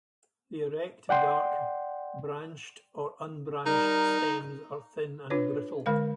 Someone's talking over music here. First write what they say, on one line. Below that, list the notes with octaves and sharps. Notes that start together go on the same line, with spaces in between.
The erect, dark, branched or unbranched stems are thin and brittle.
D5 F#5 G5 C6
G3 D#4 A#4
D4 F4 B4 C#5
D3 G#3 A#4 F5